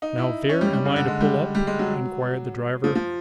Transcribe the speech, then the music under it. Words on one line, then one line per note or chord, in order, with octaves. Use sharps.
'Now vere am I to pull up?' inquired the driver.
D#4
E4
C#4
G3
G3
C#3
D3
G#3
G3
G3
G#3
F#3
F3
F3